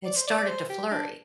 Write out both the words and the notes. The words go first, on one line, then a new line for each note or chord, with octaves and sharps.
it started to flurry,
D5
C5
D5
D5
C5
G4
D4